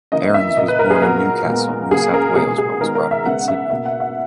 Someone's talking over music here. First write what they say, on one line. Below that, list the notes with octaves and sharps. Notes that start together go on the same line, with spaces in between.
Aarons was born in Newcastle, New South Wales but was brought up in Sydney.
C#3 E3 A#3 D#5
E5
A#2 A#3 D#5
B4
A#4
G#4
B4
A#2 F#3 B3 A#4
A#2 G#3 B3
C#3 F#3 A#3 G#4
A#4
B2 G#3 B3 G#4
G#4
D#3 G#3 B3 A#4
A#4
E5
C#3 G#3 B3 F#5
E5
B2 A#3 E5
F#5
E5